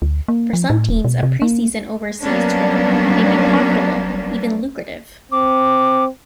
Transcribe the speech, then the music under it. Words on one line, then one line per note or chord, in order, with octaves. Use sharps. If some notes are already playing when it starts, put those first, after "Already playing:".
For some teams a pre-season overseas tour may be profitable, even lucrative.
D2
A#3
F3
A2
D#1
B2
C3
A#3
F#3 G3 A#3 B3 C#4 D4
C4 D6